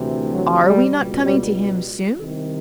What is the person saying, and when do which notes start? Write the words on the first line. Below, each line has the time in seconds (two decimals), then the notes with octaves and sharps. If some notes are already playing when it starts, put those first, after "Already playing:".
Are we not coming to him soon?
Already playing: D2 C3 E3
0.33 F#3
0.64 G3
0.95 C#2 B2
1.25 G3
2.17 C2 C3 D#3